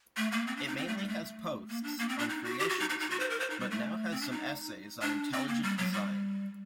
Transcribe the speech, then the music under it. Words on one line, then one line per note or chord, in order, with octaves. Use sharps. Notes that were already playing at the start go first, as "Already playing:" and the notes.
It mainly has posts, on creationism, but now has some essays on "Intelligent design".
A3
A#3
C4
D4
D#4
C4
A3
G3
A3
A#3
D4
A#3
C4
D4
D#4
F#4
G4
F#4
D#4
D#4
D#4
F#4
C5
A#4
C5
D#4
G3
A3
C4
D4
D#4
D4
C4
A#3
G3
F#3
G3